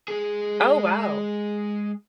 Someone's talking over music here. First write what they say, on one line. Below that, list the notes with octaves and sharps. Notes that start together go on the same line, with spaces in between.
Oh, wow.
G#3 G#4